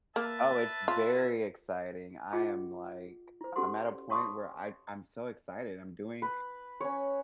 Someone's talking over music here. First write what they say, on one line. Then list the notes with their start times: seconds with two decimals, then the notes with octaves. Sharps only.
Oh, it's very exciting. I am, like I'm at a point where I I'm so excited. I'm doing
0.16 A#3 B4 E5 A5
0.88 F4
2.33 F4 G#4 D#5 F#5 G5 D6
3.41 E4 C5
3.56 C#4 F#4 G4 A4 F#5 C6
4.10 C#5 F5 A5 C6 C#6 D#6
6.22 B4
6.81 C#4 C#5